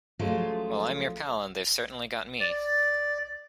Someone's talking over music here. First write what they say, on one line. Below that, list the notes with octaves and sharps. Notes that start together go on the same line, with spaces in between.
Well, I'm your pal and they've certainly got me.
F3 F#3 G#3 A3 C#4 F4
D5